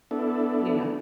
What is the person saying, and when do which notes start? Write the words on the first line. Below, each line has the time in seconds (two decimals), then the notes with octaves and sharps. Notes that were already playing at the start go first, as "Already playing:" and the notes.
you know,
0.11 B3 D4 E4 A4